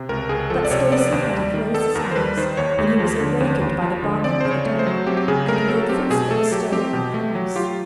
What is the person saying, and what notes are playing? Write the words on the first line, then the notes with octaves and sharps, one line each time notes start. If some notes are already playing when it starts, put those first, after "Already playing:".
But scarcely had he closed his eyes when he was awakened by the barking of the dog, and heard footsteps stirring in the house.
Already playing: C3
C#2 A#4
C#2 G#4
F3 A4
D5
C3 C#5
B3 D5
D#2
G3
D#3
B3 A4
D#2 A#4
C5
G3 B4
D#3 C5
D#2 C#5
D#2
F3
D3
D#2
D#2
F3
D3
C4 D5
C#3 C5
C#5
A3
C5
F#3
C4 G4
G4
C#3 G#4
A3 A#4
F#3 A4
C4 G4
B2 G#4
A3 A4
F#3 G4
C4 G4
B2
A3
F#3
F4 G4